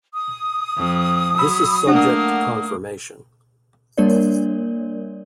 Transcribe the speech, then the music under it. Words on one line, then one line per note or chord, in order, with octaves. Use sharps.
This is subject to confirmation.
D#6
F2
F#3 B5 E6
A3 A#3 D4 F#5
G3 A#3 D4 A#4 C#5 D5